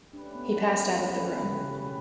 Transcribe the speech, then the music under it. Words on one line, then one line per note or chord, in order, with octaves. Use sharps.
He passed out of the room.
A3 C#4 D4 G4 B4
B3
F#3
G3
F#3
E3
C#3
C#3
B2